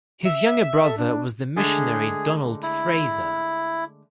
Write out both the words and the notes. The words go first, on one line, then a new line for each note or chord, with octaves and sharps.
His younger brother was the missionary Donald Fraser.
E5
A4
D4
D3 G#3 A3 G#4
E4